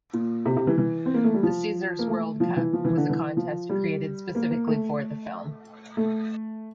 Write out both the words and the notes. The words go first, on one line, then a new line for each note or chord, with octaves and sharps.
The Caesars World Cup was a contest created specifically for the film.
A#2
C3
C3
E3
E3
C4
A#3
A3
G3
F3
A#3
A3
F3
E3
F3
E3
D3
E3
F3
G3
A#3
A#3
A3
A3